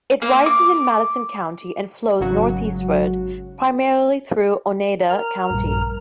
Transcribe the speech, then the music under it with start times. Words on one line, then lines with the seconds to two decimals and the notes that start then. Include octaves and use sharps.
It rises in Madison County and flows northeastward, primarily through Oneida County.
0.22 A#3
0.46 D6
2.20 G#1 C#3 F#3 F#4
5.10 A#4 A#5
5.51 A#1 G2